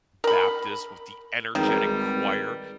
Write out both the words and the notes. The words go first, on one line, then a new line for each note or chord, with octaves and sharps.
Baptist with the energetic choir.
A#4 B5
G#1 D#3 G3 G#4 A#4 B4